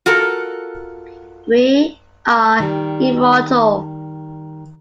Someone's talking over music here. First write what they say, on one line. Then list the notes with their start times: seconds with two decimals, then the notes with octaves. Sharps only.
We "are" immortal!
0.06 F4 F#4 A4 A#4
2.60 D#3 G3